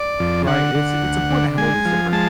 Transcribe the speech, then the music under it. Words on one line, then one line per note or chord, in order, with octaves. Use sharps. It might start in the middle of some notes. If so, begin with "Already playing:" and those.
Right. It's it's important to have all these different,
Already playing: D5
F2
D3 F#5
D3
D2
D3
G#3 G#5
F3
G#3 A5